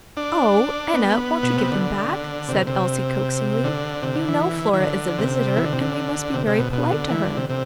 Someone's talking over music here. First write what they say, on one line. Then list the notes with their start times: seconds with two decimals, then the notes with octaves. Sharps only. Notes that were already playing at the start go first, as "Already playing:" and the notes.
"Oh! Enna, won't you give them back?" said Elsie, coaxingly; "you know Flora is a visitor, and we must be very polite to her."
0.17 D4
0.94 B3
1.43 B2
1.57 C3
1.71 D3
2.48 C3
2.67 C3
3.64 D3
4.03 C3
4.15 D3
4.28 E3
4.73 E3
4.80 D3
5.18 C3
5.57 E3
5.65 D3
5.73 C3
5.81 D3
6.34 C3
6.47 C3
6.60 B2
6.73 B2
6.92 D3
7.11 E3
7.24 D3
7.37 C3
7.50 C3